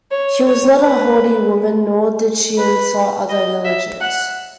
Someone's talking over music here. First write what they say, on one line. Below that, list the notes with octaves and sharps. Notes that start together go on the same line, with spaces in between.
She was not a haughty woman, nor did she insult other villagers.
C#5
C#5
B4
B4
D#5
E5
F#5